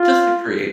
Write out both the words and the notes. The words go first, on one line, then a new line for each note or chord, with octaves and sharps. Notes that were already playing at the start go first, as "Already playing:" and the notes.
Just to create.
Already playing: F4